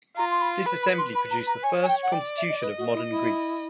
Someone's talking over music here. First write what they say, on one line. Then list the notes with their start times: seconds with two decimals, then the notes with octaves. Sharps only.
This assembly produced the first constitution of Modern Greece.
0.16 F4 A#5
0.31 C6
0.41 B5
0.66 B4 B5
0.83 B5
0.98 C6
1.15 B4 B5
1.31 A#5
1.47 A#5
1.63 C#5 G#5
1.83 G#5
1.88 G5
2.03 F#5
2.12 D5 G5
2.38 E5
2.50 D#5
2.61 B4 D#5
2.78 F#4
2.94 E4
3.10 E4